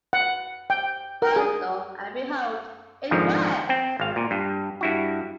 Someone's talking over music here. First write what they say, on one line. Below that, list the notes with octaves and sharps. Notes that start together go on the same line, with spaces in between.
But, lo and behold, it worked!
F#5
G5
A#4
G#4
F2 G#2 D3 D#3 F3
C4 G5
G#1 F5
A#2
G2
G2 E4 F#4